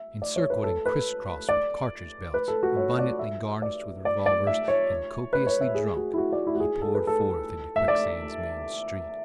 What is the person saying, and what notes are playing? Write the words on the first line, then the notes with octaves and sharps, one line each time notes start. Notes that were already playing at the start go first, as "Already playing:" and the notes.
Encircled and criss-crossed with cartridge belts, abundantly garnished with revolvers, and copiously drunk, he poured forth into Quicksand's main street.
Already playing: E5
D5
C#5
B4
A4
B4
D5
B4
A4
F#4
C#5
D5
E5
D5
D5
D5
E5
C#5
B4
C#5
E5
G#4
F#4
E4
F#4
D5
E4
F#4
G#4
A4
B4
A4
E5
D5